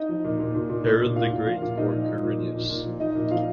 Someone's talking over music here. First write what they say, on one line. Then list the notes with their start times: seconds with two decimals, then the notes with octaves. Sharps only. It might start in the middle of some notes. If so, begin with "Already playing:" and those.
Herod the Great or Quirinius.
Already playing: D#4 D#5
0.09 F3
0.24 A#2
0.40 A#2
0.55 A#2
0.69 A#2
0.86 A#2
1.00 A#2
1.16 A#2 F4 F5
1.31 A#2
1.46 F3 F4 F5
1.62 A#2
1.77 A#2 D#4 D#5
1.93 F3
2.08 F3
2.24 A#2
2.38 F3
2.54 A#2
2.69 A#2
2.85 F3
3.00 F3 D#4 D#5
3.15 A#2
3.31 F3 F4 F5